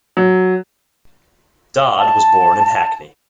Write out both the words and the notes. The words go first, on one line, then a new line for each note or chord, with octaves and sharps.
Dodd was born in Hackney.
F#3
A5